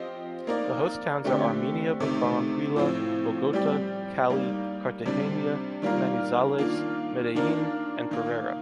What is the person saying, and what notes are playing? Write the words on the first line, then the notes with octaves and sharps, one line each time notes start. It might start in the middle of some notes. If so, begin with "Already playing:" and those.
The host towns are Armenia, Barranquilla, Bogota, Cali, Cartagena, Manizales, Medellín, and Pereira.
Already playing: F3 C4 G4 C5 D#5
A#3 D#4 A#4 D5
D3 A3 C4 G4
C3 D#3 A3 D#4
A2 F3 C4
G3 C4 G4 D5
G3 A#3 D#4
C3 G3 D4
D#3 G3 A#3 F4 A#4
D#3 A#3 D4 F4
D#3 A#3 D4 F4 A#4
D#3 A#3 D#4